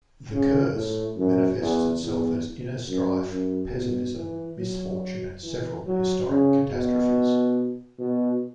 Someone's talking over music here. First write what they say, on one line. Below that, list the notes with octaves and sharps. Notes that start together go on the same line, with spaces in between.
The "curse" manifests itself as inner strife, pessimism, misfortune and several historic catastrophes.
C#3
A2
F#2
E2
E2
F#2
F#2
B2
E3
F#3
E3
F#3
C#3
B2
B2